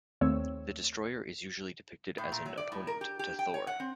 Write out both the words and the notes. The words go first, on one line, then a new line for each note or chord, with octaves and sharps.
The Destroyer is usually depicted as an opponent to Thor.
D#2 A3 C4 C#5 E6
A2
A#2
F#3
D5
A2
A#4
G4
G4
G5
C#5
F#5
C4